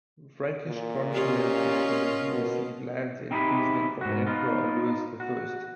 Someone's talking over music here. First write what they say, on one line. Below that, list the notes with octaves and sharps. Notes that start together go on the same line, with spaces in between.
Frankish chroniclers mention that he received lands in Friesland from Emperor Louis the First.
A#2
C#4 F4 G4 D#5
A#4
B2
C4 D#4 E4 G4 G#4 B4
G#2 F#4
B3 D#4 F4
F#4